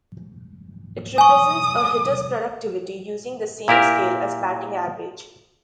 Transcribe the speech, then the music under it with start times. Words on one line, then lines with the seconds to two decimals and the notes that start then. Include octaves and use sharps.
It represents a hitter's productivity using the same scale as batting average.
1.18 G#5 C#6 D#6
3.68 A#2 E4 G4 A#4